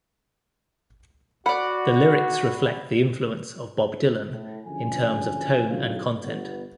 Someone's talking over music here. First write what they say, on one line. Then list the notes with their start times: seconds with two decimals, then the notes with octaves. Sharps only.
The lyrics reflect the influence of Bob Dylan, in terms of tone and content.
1.46 F#4 D5 F#5 B5
4.31 A2
4.65 F#1 D3 F3 C#4 G#5
5.69 A2 C#3 F#3 C4 D#4 F4
6.22 G1 B3